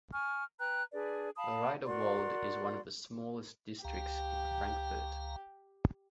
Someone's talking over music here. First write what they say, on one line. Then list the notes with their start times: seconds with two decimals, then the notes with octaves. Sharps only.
Riederwald is one of the smallest districts in Frankfurt.
0.13 G#5 C#6 F6
0.60 B4 G5 A#5 F#6
0.93 D4 G#4 B4 D5
1.37 F5 A5 B5 D#6
1.85 F#4 A#4 D5 C6
3.85 C#2 G4 F5 A#5